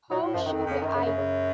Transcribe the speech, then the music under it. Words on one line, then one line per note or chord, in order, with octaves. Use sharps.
How should I?
A#2 F#3
A2
F#2 F3
D#3
F2
D#3
F2 C#3
F#2 D#3
C#3
C#3
C#3